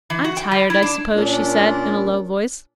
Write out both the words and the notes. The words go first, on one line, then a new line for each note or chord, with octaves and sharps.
"I'm tired, I suppose," she said, in a low voice.
E3
F#4
G5
G3
E4
D4
A#2 C#4 D4